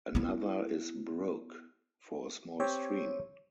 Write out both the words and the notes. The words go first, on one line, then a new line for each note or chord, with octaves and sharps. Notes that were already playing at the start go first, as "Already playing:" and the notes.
Another is "brook", for a small stream.
B3 E4
C4 G4 C#5